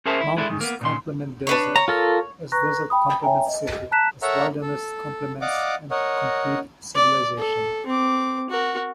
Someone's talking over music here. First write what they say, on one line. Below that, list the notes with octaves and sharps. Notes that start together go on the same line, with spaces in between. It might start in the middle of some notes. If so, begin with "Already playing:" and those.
Mountains complement desert as desert complements city, as wilderness complements and complete civilization.
C#4 G#4 A#4 C5 E5 A5
E4
G#3 D4 E4 A4
G#2 D#3
A#3 B3
A#2 C#3 C6
D4 B4 C#5
C#5 A#5
F4 A4 A#4
B4 A#5 C#6 F#6 A#6
G5 B5 D#6
C#5 E5 G5 G#5 A#5
D#5
A5 A#5 F#6 B6 E7
A4 A#4 C#5 E5 F#5 A#5
A4
D5 D#5 F5 F#5 D6
A#4 C#5 D#5 F#5
D5
A4
C4 D6
F#4 A#4